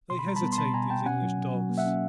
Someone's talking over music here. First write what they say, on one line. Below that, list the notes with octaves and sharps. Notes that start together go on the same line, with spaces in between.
They hesitate, these English dogs!
B2 C6
B5
G3 A#5
A5 B5
B3
C6
B2 A5 B5
B2 G#5 A#5
B2 G5 A5
C#4 F#5 G#5
F#3
B2
F#3
A#3
E5 F#5
C#4